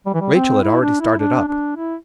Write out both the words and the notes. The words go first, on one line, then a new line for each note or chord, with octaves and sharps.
Rachael had already started up.
G3
E3
G3
C4
E4
D4
E4
D4
D4
E4